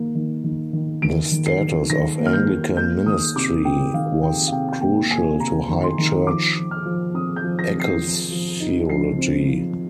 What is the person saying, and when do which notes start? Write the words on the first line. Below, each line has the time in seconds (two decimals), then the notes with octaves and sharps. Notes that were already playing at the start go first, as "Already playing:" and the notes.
The status of Anglican ministry was crucial to high church ecclesiology.
Already playing: D#3 A#3
0.15 D#3
0.44 D#3
0.73 D#3
1.02 D#3 D7
1.32 D#3
1.46 C7
1.61 D#3
1.90 D#3 A#6
2.19 A#3
2.26 F6
2.33 G6
2.49 A#3
2.77 A#3 G6
3.06 D#3 D#6
3.36 C3 D6
3.65 C3 G5
3.94 D#3 F5
4.23 D#3 G5
4.48 F5
4.52 C3 G5
4.81 A#3 G5
5.11 A#3 G#5
5.40 C3 A#5
5.69 D#3
5.83 C6
5.98 D#3
6.27 F3 D6
6.56 F3
6.71 F6
6.85 F3
7.14 C4 D#6
7.36 G6
7.44 F3
7.59 A#6
7.73 C4
7.80 C7
8.02 F3
8.32 F3
8.60 D#4
8.89 F3 C7
9.18 C4
9.48 F3